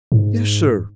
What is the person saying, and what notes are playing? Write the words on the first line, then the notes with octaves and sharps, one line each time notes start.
"Yes, sir."
G#2